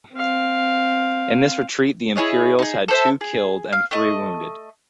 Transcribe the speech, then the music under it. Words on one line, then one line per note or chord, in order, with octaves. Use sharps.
In this retreat the imperials had two killed and three wounded.
C4 F5
E4 G#4 C#5 D#5
D#4 G#4
A4 C5 E5
G#4
F5
A3 D#5